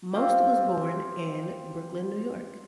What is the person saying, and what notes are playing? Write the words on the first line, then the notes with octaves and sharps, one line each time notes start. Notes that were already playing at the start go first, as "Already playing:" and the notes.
Most was born in Brooklyn, New York.
C4 F4 G4